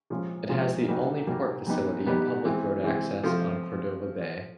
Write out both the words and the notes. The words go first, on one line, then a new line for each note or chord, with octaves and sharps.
It has the only port facility and public road access on Cordova Bay.
A#2 F3 G#3 C#4 F4
A#2 F3 G#3 C#4 F4
A#2 G3 A#3 D#4 F#4
A#2 G3 A#3 D#4 F#4
A#2 G3 B3 D#4 G4
A#2 G3 B3 D#4 G4
E3 G#3 C4
E3 G#3 C4
F3 A3 C4 F4